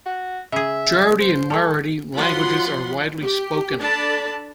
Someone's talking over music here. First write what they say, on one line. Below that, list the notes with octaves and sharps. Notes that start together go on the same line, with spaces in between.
Gujarati and Marathi languages are widely spoken.
F#4
C#3 G#4 E5
C5
G3 A3 A4
F3 F#3 F4 F#5 B5 C6
G4
D4 A4 D5 A5 B5